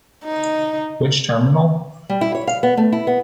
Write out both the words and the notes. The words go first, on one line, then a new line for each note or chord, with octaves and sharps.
Which terminal?
D#4
G3
E4
C#5
F5
B3
A3
E4
B3